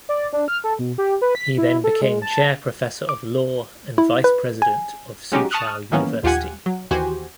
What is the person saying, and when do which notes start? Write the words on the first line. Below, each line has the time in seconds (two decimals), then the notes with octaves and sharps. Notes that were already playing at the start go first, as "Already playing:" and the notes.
He then became chair professor of law and vice president of Soochow University.
0.09 D5
0.33 D4
0.48 F6
0.64 A4
0.79 B2
0.98 G4
1.22 B4
1.35 B6
1.57 E4
1.84 A4
2.02 G#3
2.22 A5
3.09 D6
3.98 E4
4.24 B4
4.62 G#5
5.32 F#3 G#3 C#4 D#4 F#4 G4
5.51 A5 C#6 D#6 F6 F#6
5.92 D#3 E3 F#3 A#3 B3 C#4
6.23 A#1 D#2 F4 G4 F#5 G#5
6.66 F#3
6.91 D#2 E3 F#4 G4 C5 G#5